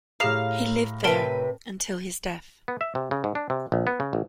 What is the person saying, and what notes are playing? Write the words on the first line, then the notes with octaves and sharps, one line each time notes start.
He lived there until his death.
A2 G4 G#4 F5 A#5 C7
C3 A#4 B4 A5 D7
B3
E5
C3
C#3
G#2
D4
C3
A#1
B3
C#3
A1